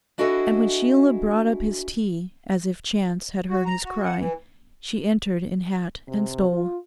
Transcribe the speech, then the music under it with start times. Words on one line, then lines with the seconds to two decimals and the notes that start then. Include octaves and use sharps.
And when Sheila brought up his tea, as if Chance had heard his cry, she entered in hat and stole.
0.18 D4 E4 F#4 G#4 A4 D#5
3.50 F#4
3.66 A#5
3.84 F#4
4.04 F#5
4.19 E3
6.08 C3
6.48 F4